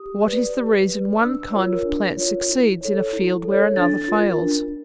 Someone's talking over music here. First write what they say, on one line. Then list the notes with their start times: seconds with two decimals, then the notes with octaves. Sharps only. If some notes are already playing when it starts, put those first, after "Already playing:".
What is the reason one kind of plant succeeds in a field where another fails?
Already playing: G4 D#6
0.25 B4 D5
0.56 G4
0.89 B4 D5
1.21 D4 E6
1.52 F4 A#4 C#5
1.85 D4
2.17 F4 A#4 C#5
2.49 E4
2.81 A4 C#5
3.13 E4
3.45 A4 C#5
3.76 D4 A6
4.08 F4 A#4
4.41 D4